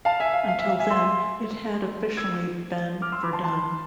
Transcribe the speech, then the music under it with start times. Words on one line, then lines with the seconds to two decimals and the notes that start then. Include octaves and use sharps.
Until then, it had officially been Verdun.
0.05 F5 A5
0.20 E5 G#5
0.33 F5
0.48 F5
0.59 E5
0.69 F5
0.80 E5 G#5
0.90 C6 E6
2.17 E6 G#6
3.02 D6 F6
3.12 C6 E6
3.23 B5 D6
3.33 A5 C6
3.43 A5 C6